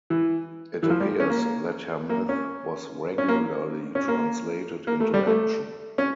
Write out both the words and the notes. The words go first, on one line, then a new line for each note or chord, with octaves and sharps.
It appears that her myth was regularly translated into action.
E3
E3
F3
G3
C#4
A#3
A#3
C#4
C#4
A#3
C#4
A#3
A#3
A3
G3
A3
C#4